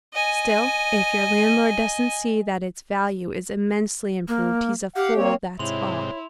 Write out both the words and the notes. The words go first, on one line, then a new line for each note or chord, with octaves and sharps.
Still, if your landlord doesn't see that its value is immensely improved, he's a fool, that's all.
D#5 G#5
A#3
G4 F5 F#5
A#3 C4 C#5
G#2 C3 E4 C#5 C6 F7